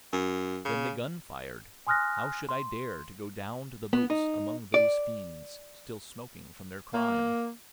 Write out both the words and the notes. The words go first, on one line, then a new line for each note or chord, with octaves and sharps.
When the gun fired, how should I dare to go down to the boats among those fiends, still smoking from their crime?
F#2
C#3
G#5 C6 D#6 F6 F#6 A#6
C6
B3
D#4
D5
A#3